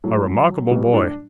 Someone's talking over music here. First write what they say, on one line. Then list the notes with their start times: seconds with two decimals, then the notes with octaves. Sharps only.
'A remarkable boy!
0.04 A2 F#3 A3
0.26 F#3
0.49 F#3
0.71 B2 G3 B3
0.93 A2 A3 D4